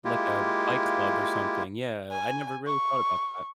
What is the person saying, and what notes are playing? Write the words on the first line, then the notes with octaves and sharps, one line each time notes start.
like a bike club or something, yeah, I never really thought about that.
G#3 A#3 E4 F4 G4
G#5
C#6